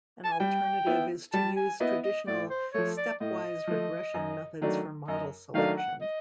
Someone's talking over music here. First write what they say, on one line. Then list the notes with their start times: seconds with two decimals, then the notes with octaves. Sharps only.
An alternative is to use traditional Stepwise regression methods for model selection.
0.25 A5
0.32 G#5
0.40 G3 G5
0.86 B3 E4
1.33 G3 A5
1.57 G#5
1.80 B3 E4 D#5
2.04 D#5
2.27 A2 D5
2.50 C5
2.73 F3 A3 C#5
2.98 D5
3.20 A2 D#5
3.67 F3 A3
4.14 F#2
4.61 D#3 F#3 A3 D4
5.08 F#2 D#5
5.54 D#3 F#3 A3 D4 F5
5.78 F#5
6.01 D#5